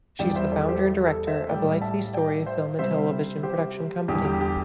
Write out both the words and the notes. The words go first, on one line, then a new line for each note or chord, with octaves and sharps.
She is the founder and director of "likely story" film and television production company.
E2 E3 G3 D5 G5
C5 E5
A4 D5
G4 C5
A4
C5 E5
A2 G3 D5 G5
E5 A5
D5 G5
C5 E5
C3 G3 C5 E5
G4 C5
E2 D3 G3 G4
G4
G4